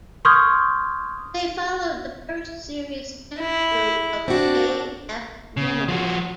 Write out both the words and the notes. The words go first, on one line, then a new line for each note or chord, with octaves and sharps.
They followed the first serious attempt route of A F Mummery.
C6 C#6 D#6 F6 G6 G#6
E4
C4 D4 F#4
C#3
F3 F#4